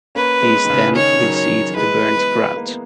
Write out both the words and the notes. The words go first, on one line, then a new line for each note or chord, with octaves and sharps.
These then reseed the burnt ground.
A#3 C#4 B4
G#3 B3
D#3
C#3
C#3
D#3 C#5
D#3 F#3
C#5
D#3 F#3
E3 G#3 B4
G#3 B3
A#3
B3